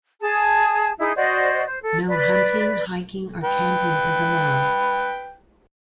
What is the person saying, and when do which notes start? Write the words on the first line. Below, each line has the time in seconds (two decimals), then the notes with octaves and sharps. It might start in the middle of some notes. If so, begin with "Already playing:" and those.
No hunting, hiking, or camping is allowed.
0.21 G#4 A5
0.99 D#4 E4 G#4
1.16 F#4 C5 D5 D#5
1.66 C5
1.82 A4
2.08 B4 D5
3.44 B4 G5